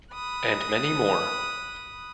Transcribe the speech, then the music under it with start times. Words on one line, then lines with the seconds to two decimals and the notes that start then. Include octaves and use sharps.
And many more.
0.14 B5 D#6 F#6